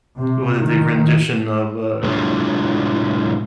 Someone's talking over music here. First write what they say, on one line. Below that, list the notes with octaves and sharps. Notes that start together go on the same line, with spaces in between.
W the rendition of, uh,
C3
D#3
A2 C3 F#3 G#3 D4 F4